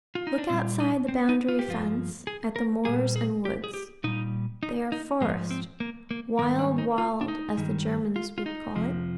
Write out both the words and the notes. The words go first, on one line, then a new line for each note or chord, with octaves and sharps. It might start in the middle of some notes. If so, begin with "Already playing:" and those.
Look outside the boundary fence, at the moors and woods; they are forest, Wild--"Wald," as the Germans would call it.
F4
D#4
D4
A#2 G3 C4
D#4
C4
D#4
F4
G4
G2 F3 F4
G#4
A#4
A#2 G3 G#4
G#4
G4
G#4
G4
A#2 G3 D#4
D#4
D#4
G#2 F3 G#3
C4
A#3
A#3
G#2 D#3 G3 A#3
D4
D#4
F4
D4
D#4
G2 D#3 G3
F4
F4
D#4
F2 C3 F3